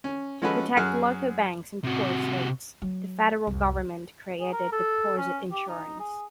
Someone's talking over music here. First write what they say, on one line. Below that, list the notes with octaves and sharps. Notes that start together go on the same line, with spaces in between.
To protect local banks in poorer states, the federal government created deposit insurance.
C#4
F3 G#3 C#4 F#4 A4 B4
F#2 F#4 G#4 F6 F#6
C3 F#4
F#3
C2 F2
G#4
A#4
A4
C#4
G4
D#4
G#4